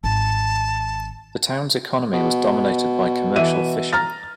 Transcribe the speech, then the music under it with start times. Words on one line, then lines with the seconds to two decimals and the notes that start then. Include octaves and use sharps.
The town's economy was dominated by commercial fishing.
0.04 G#1 A5
2.14 B2
3.36 E3 E5 D#7
3.93 A#5 F6 A6